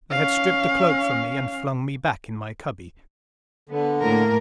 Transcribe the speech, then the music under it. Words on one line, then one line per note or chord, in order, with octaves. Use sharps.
They had stripped the cloak from me, and flung me back in my cubby.
C#4 F5
D3 B3
A2 A#3 A#4